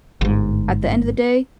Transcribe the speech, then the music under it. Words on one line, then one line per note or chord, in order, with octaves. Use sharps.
at the end of the day,
G1 G#2